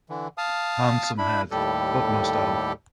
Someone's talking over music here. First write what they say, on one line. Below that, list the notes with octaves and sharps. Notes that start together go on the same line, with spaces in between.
Handsome head, but no style.
D3 E3
F5 A5 D#6 F6
D4 E4 B5
D#2 A2 G3 G4 A4